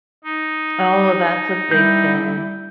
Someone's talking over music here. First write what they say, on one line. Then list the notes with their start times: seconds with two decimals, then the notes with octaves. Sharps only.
Oh, that's a big thing.
0.24 D#4
1.71 G3 E4 G6